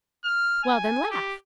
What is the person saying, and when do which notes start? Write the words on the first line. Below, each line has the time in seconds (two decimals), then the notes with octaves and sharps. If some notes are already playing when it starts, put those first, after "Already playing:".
"Well, then, laugh."
0.24 F6
0.63 G#5
1.11 G4